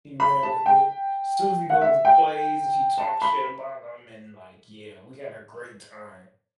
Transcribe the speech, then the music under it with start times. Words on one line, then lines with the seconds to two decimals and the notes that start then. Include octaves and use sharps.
He ran with it. Susie goes to plays and she talks shit about them and like, yeah, we had a great time.
0.20 B5
0.43 A5
0.66 G5
1.70 F#5
1.81 E5
2.05 G5
2.98 A5
3.22 B5